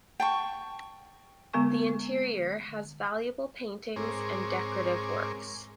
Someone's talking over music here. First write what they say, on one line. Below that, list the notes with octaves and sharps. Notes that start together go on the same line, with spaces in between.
The interior has valuable paintings and decorative works.
G5 A5 C#6
D3 G#3 B3 A#4 G#5 C#6
G#2 C4 G#4 A#4 C#5 D6